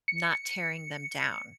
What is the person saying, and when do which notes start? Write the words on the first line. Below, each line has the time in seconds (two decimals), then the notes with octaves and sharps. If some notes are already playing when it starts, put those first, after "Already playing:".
not tearing them down.
0.08 C#7